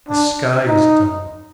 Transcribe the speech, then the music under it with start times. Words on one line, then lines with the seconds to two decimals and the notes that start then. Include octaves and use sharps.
The sky is dull.
0.09 D4
0.67 D#4